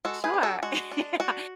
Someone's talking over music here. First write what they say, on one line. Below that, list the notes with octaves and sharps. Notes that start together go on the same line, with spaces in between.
Sure. Yeah,
G#3 F#4 A4
G#4 B4
D4
F#4 A4
G#3 F#4
D4
D4 F#4